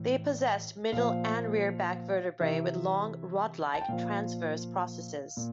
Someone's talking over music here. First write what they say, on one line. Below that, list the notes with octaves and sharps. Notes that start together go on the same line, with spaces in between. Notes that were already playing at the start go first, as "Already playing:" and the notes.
They possessed middle and rear back vertebrae with long, 'rod-like' transverse processes.
Already playing: A2 E3
A#2 F3 F5
C3 E3 E5
A5
G5
A#2 F3 F5
A#2